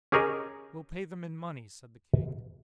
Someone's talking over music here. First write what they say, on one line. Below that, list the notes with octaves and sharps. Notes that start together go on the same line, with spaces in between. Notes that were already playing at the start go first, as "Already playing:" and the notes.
We'll pay them in money--said the king.
C#4 G4 G#4 A#4 C#5 D#5